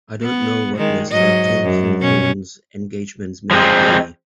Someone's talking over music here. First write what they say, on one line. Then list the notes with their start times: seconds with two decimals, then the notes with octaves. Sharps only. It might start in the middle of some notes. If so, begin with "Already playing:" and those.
I don't know what Mr. Tulkinghorn's engagements may be.
0.22 B3
0.77 D#3 G#3
1.11 G#2 F#3 D#5
1.63 F#2
2.00 B2 C#4
3.51 F3 G#3 B3 C4